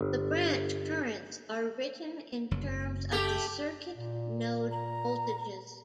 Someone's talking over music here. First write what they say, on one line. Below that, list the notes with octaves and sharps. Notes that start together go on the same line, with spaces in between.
The branch currents are written in terms of the circuit node voltages.
G1
F#1 F#2 F#3
A3 G4
A#2
A#5